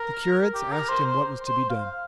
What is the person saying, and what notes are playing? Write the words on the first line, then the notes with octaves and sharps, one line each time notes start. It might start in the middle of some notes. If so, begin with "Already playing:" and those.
The curates asked him what was to be done.
Already playing: A#4
G4
A#4
C5
C5
C5
F5